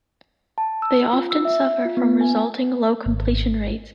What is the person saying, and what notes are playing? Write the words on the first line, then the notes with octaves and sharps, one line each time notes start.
They often suffer from resulting low completion rates.
A5
E6
F4
E6
E5
F4
B3
G#5
G#1